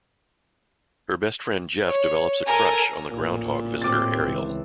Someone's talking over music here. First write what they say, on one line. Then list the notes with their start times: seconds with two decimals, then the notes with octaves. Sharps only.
Her best friend Jeff develops a crush on the "groundhog" visitor, Ariel.
1.86 C#5
2.45 A4 A#4 G#5
3.11 A1 A#2
3.82 A2 C4 D6 A6
4.20 C#2 E3